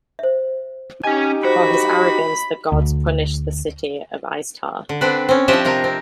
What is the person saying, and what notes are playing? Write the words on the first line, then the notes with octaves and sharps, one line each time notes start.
For his arrogance, the gods punished the city of Istar.
C5 E5
C#4 D#4 G4 G#5
F#4 C5 B5
D2
D3
D3 C4 D4 B4
C4 C#4
F3 D4 G4 D#5 E5 A5
C3 F4 A#4
C4